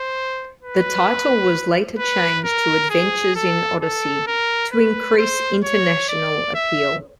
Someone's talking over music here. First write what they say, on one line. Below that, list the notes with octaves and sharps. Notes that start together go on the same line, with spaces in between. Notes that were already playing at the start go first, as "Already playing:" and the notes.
The title was later changed to "Adventures in Odyssey" to "increase international appeal".
Already playing: C5
B4
B4
A#4
G#4
A4
A4
A#4
B4
C5
C#5
D5
E5